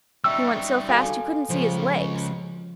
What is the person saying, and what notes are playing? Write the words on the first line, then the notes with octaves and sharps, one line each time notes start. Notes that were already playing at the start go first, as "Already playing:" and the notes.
He went so fast you couldn't see his legs.
G3 D#4 E5 G5 C#6 E6
F#4 A4 D5 F5 G#5
C#2 C#3 F3